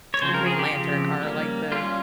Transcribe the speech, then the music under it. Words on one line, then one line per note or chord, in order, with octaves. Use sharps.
Green Lantern are, like, the,
C#5
C#3 F3 C4 C5
A#4
G#4
G4
C#3 F3 C4
G3 A#3 C#4
G3 A#3 C#4 F4